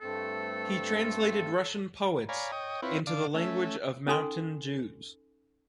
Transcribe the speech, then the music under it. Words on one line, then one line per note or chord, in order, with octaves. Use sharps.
He translated Russian poets into the language of Mountain Jews.
G2 A3 C4 A4
C#5 D5 F5 G#5 A#5 B5
C#5 D#5 G5 D#6
C4 E4 F4 B4 C#5
D3 D5 F5 D6
A3 C#4 E5
C#4 D#4 A4 G#5 C6